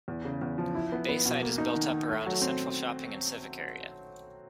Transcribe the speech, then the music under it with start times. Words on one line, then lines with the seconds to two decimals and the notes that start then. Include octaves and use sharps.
Bayside is built up around a central shopping and civic area.
0.08 E2
0.25 C#3
0.41 E2
0.58 F3
0.75 E4
0.92 B3
1.08 B3
1.25 B2
1.42 A#3
1.58 D#4
1.76 D#3
1.91 D#3
2.09 A3
2.26 F#3
2.42 C4